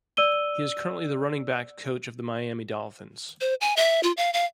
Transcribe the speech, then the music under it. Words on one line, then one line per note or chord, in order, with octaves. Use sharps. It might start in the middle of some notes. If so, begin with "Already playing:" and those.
He is currently the running backs coach of the Miami Dolphins.
D5 E6 D#7 G7
C5
G#5
E5
F4
F5
F5